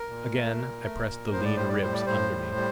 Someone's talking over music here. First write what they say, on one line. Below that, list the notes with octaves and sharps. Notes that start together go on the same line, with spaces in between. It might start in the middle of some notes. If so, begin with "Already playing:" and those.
Again I pressed the lean ribs under me.
Already playing: A#4
A#2
A3
A#2
A3
A#2
A2 C5
D5
G3 C5
D5
A2 C5
D5
A2 C5
G3
G3